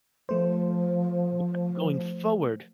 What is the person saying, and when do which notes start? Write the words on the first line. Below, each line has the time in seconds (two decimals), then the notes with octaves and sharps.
but going forward,
0.29 F3 A3 C5